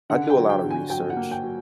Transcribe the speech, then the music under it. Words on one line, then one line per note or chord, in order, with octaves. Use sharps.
I do a lot of research,
D3 F#5
G5
F#3
G5
D3
G#5
F#3 G5
F#5
A#3
G5
F#3